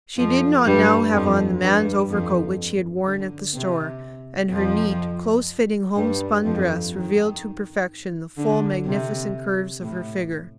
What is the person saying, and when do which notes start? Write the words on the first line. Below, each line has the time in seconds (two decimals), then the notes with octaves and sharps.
She did not now have on the man's overcoat which she had worn at the store, and her neat, close-fitting home-spun dress revealed to perfection the full, magnificent curves of her figure.
0.17 F2 F3
0.66 G2 G3
1.14 F2 F3
1.62 G2 G3
2.11 F2 F3
3.06 D3
3.54 C3
4.51 F2 F3
5.96 G2 G3
6.44 F2 F3
6.93 D#3
8.37 D3
8.85 C3
9.81 A2